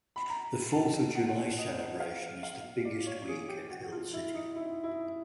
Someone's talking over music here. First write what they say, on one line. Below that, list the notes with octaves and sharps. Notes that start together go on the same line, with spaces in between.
The Fourth of July celebration is the biggest week in Hill City.
B5
A#5
A5
F#5
D#5
F5
F5
D5
C#5
G#4
G4
F#4
F4
E4
D#4
E4
E4